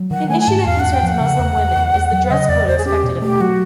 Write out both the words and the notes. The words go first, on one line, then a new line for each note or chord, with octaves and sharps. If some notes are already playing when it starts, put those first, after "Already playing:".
An issue that concerns Muslim women is the dress code expected of them.
Already playing: F#3
D#3 F#5
A3 G#5
G#5
G#2 A5
E2 F5
E2 F#5
G5
F3 F#5
C#3
E2
E2
E2
E2
F#3
C#3 D#5
E2 D5
E2 C5
G#4
C#4 G4
B2
A3 G4
F#3 F#4